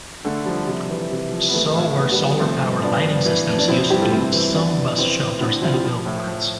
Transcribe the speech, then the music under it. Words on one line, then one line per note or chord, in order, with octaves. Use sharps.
So were solar-powered lighting systems used in some bus shelters and billboards.
D3 A3
F3 G3
C3
E3
C3
F3
B3
E3 A3
A2
D3 B3
A3
G3 B3
F3
F3 A3 C4
G2
F3 B3 D4
G2
E3
F2
D4
F3 C4 E4
C4 E4
G2 E4 G4
F4 A4
C3 C4 E4
E3
E3 B3 D4
F2
E3 C4 E4
A2
D3 C4 E4
F3 C4 E4
F4
E4 G4
F3
A2
F3